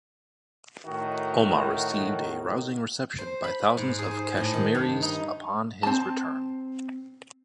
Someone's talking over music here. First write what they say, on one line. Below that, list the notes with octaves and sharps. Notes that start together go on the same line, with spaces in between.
Omar received a rousing reception by thousands of Kashmiris upon his return.
A2 D#3 D#4 F#4
C5
B5
G#2
G#4
C5
A2
D#3
G2
D#4
C4 A5